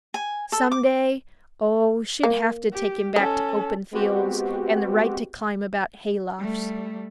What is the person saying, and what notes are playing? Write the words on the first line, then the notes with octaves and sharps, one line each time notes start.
Some day--oh, she'd have to take him back to open fields and the right to climb about hay-lofts.
G#5
A4
D6
A#3
G4
C#4 A4 D#5
G#3 B3 C4 F#4 G4
G3 A3